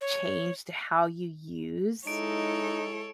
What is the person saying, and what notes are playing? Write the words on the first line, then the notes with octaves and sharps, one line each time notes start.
changed how you use,
C#5
G#3 D#4 E4 A4 C#5 D7